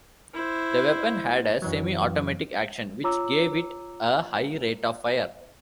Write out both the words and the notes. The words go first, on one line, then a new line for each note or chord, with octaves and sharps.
The weapon had a semi-automatic action which gave it a high rate of fire.
E4 C5
F#2 E3 F#3
F4 C#5 A#5 D6 E6